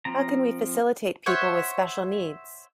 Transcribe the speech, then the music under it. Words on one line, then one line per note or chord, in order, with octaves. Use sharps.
How can we facilitate people with special needs?
F3 C4 A#5
C5 C#5 E5 F#5